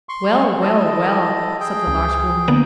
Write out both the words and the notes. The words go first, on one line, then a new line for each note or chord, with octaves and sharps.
"Well, well, well!" said the large woman.
C6 C#6
E4 A4 D#5
G#4 G5
C#2
D3 A#3 B3